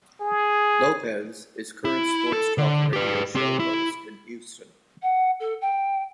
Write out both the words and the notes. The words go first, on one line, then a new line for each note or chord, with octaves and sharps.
Lopez is a current sports talk radio show host in Houston.
G#4
E4
A4
D3
G4 B4
C4 G4
E4
F#5
A4
G5